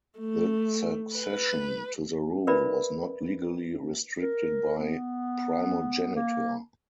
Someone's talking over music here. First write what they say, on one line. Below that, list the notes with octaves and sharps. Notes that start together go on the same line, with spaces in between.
The succession to the rule was not legally restricted by primogeniture.
A3
B4
A#4 B4 D5 E5 B5
A#4
B3
A#3